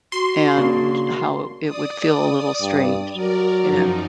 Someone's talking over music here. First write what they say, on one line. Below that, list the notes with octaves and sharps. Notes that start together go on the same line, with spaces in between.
and how it would feel a little strange. Yeah.
F#4 C6
C#3 A#3 D4
D5 D#6
G2
F#3 A#4 D5
F#2 F3 D#4